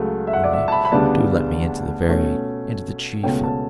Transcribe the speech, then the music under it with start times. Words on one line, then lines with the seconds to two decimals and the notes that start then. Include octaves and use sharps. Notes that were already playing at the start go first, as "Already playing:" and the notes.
Only do let me into the very... into the chief...
Already playing: C#2 C#3 F#3 A3
0.27 E5
0.33 F#5
0.44 D5
0.53 E5
0.68 A5
0.72 B5
0.85 B5
0.92 D2 C#3 G3 B3 D4 A5
2.08 B2 A3 C#4
3.23 C#2 B2 A3 C#4 G5
3.44 A5